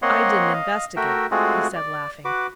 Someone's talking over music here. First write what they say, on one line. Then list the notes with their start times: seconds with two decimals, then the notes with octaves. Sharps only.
"I didn't investigate," he said, laughing.
0.02 A#3 C4 C#5 D#5 F#5 C6
0.53 D#5 F5
0.97 A3 F#4 A#4 E5 G5
1.31 G#3 A3 C4 F4 F#4 G#4
1.76 D5
2.25 F#4 B4 D6